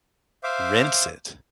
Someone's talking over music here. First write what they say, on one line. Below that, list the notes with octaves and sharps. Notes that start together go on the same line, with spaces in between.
Rinse it?
C5 E5 F5 D6